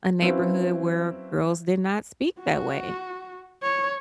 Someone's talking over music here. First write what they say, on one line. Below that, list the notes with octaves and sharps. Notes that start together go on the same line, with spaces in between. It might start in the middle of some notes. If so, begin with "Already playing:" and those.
a neighborhood where girls did not speak that way.
F#3 C4 C#4 E4 B4 F5
F#4
C#5